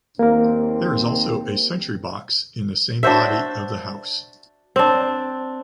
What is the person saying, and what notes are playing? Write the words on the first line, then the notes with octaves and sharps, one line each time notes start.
There is also a sentry box in the same body of the house.
D#2 A#3 C4 A#4
D4 F#4 C5 E5
C4 D4